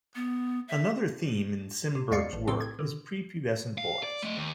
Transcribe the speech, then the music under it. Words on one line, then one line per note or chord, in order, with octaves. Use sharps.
Another theme in Simberg's work is pre-pubescent boys.
B3
E5
C3
E2 G#3 D5 F5 C7 C#7
A1
B1 A2 C#3 C4 A4 C6
G#6
D3 D#3
F5
D5
A3 D#5
D#2